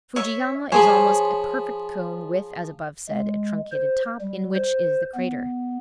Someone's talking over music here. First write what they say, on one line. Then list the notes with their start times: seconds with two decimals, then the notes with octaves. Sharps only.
Fujiyama is almost a perfect cone, with, as above said, a truncated top, in which is the crater.
0.16 C#5 E5
0.72 F3 G#4 C5 C#5 G#5 B5
3.09 G#3
3.72 C5
4.22 G3
4.55 C5
5.15 B3